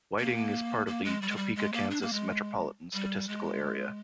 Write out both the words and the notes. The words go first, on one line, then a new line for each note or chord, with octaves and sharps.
Whiting is part of the Topeka, Kansas Metropolitan Statistical Area.
A#3
A#3
G#3
G3
G#3
G3
G#3
A#3
D4
A#3
G#3
G3
G#3